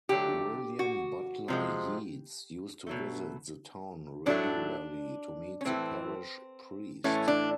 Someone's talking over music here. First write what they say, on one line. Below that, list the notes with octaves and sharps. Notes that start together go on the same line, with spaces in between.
William Butler Yeats used to visit the town regularly to meet the parish priest.
D3 F#3 A3 G4
F#4
C3 F3 G#3
B2 F#3 A3
A2 F#3 A3 D4
C#4
A2 E3 A3 C4
A2 E3 A3 C#4
D4